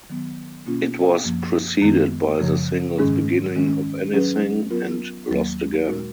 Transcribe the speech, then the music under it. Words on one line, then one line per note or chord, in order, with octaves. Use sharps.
It was preceded by the singles "Beginning of Anything" and "Lost Again".
D#3 F#3 B3
B2 A#3 C#4 F4
F#2 F3 A#3
F#2 D#3 G#3 B3
F#2 C#3 F3
G#2 D#3 G#3 C#4 G#4
D#3 G#3 C#4
F#3 C#4 G#4 B4
F#3 B3 F4 A#4
D#2 D#3 F#3 A#3
A#2 G#3 D#4 F#4 A#4